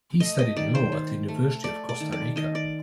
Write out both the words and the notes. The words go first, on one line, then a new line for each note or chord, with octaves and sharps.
He studied Law at the University of Costa Rica.
A3 D#5
D#5
D#3 D5
C5
D#3
A3
A3 D5
D5
D#3
D5
D#3 D#5
D5